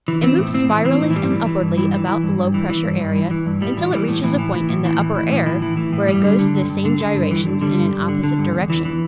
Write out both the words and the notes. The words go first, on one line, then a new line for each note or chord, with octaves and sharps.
It moves spirally and upwardly about the low-pressure area until it reaches a point in the upper air, where it goes through the same gyrations in an opposite direction.
E3
E3 C4
A2
A2 C4
E3
E3 C4
A2
E3
G2 G3
E3
E3
G2
G2 E3
E3
E3
G2
G2
E3
E3
G2
G2
E3
E3
G2
A2 G3
E3
E3 G3
A2
A2 E3
E3
E3
A2
A2 E3
E3
E3
A2
A2 E3
E3
E3
A2
G2 G3
D3
D3
G2
G2
D3
D3
G2
G2 E3
D3
D3 G3
G2
G2
D3
D3
G2
E2
E3
E3